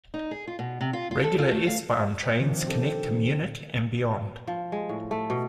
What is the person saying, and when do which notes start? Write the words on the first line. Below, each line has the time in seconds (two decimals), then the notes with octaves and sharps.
Regular S-Bahn trains connect to Munich and beyond.
0.14 D#4
0.31 G#4
0.47 F4
0.59 B2
0.81 C3
0.93 F4
1.11 F4
1.24 A4
1.38 F4
1.51 A3
1.67 F5
2.38 C3 D#3 F3 C4 D4
2.66 C4 G4 A4
4.47 F3
4.72 G#3
4.89 A2
5.11 A3
5.30 B2